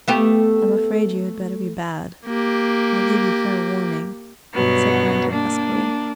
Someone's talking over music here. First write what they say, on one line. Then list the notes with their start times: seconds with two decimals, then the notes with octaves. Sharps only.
"I am afraid you had better be bad--I give you fair warning," said Brandon huskily.
0.08 A3 B3 G4
2.26 A#3 G4
4.54 G2 B2 F#3 B3
5.30 A#3 D4